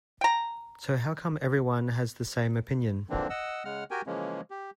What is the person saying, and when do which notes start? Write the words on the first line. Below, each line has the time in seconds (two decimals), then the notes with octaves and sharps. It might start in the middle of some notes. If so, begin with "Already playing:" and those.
So how come everyone has the same opinion?
0.21 G5 A#5
3.10 D3 E3 F3 A#3 C4 D4
3.30 D#5 F#5 E6
3.65 C#3 G#3 F#5 F6
3.91 F#4 G4 A#4 G5 G#5
4.06 C#3 E3 F3 G#3 A#3 C#4
4.51 G4